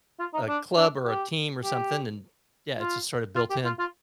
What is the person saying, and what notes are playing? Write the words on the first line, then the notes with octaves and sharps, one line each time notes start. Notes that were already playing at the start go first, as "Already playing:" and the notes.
a club or a team or something, and Yeah, it's just sorta built-in,
F4
D#4
D4
D4
G4
G4
F4
F4
G4
F4
F4